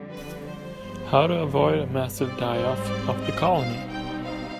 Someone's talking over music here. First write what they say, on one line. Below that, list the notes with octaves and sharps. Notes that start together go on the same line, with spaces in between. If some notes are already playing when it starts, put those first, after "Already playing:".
How to avoid a massive die-off of the colony.
Already playing: F2 D3 G3
B4
C5
G2 F3 G#3 B3
G#2 G3 C4 D5
C5
D5
D#5
B2 G3 C4 D#4 F5
G5
F5